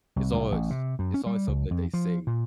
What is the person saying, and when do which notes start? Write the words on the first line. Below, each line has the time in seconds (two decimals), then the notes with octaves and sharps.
it's always it's always something that they say,
0.16 C2
0.34 C2
0.51 A1
0.70 C3
0.99 F#2
1.14 C#4
1.26 G3
1.48 C#2
1.71 F2
1.94 F3
2.27 A#2